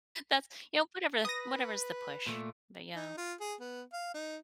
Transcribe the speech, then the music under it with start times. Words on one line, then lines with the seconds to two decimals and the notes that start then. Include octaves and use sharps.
that's you know, whatever whatever's the push, but yeah.
1.25 B4 D#6 A#6
2.27 A#2 A3
2.95 D#4
3.17 F4
3.40 G#4
3.60 B3
3.93 F5
4.14 D#4